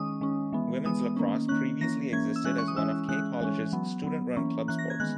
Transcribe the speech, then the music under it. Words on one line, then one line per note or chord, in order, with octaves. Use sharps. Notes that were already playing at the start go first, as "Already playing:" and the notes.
Women's lacrosse previously existed as one of K College's student-run club sports.
Already playing: D#3 G#3 C#4 D#6
D#3 G#3 C#4
E3 G#3 B3
E3 G#3 B3 D#6
D#3 A#3 C#4
D#3 A#3 C#4 F#6
E3 A#3 C#4 A#6
E3 A#3 C#4 G#6
E6
E3 G#3 C#4 F#6
C#6
D#6
E3 G#3 C#4 E6
E3 G#3 C#4 F#6
E3 G#3 C#4
F#3 B3
F#3 B3
E3 A#3 C#4
E3 A#3 C#4 F#6
A#6
G#6
D#3 G#3 B3 F#6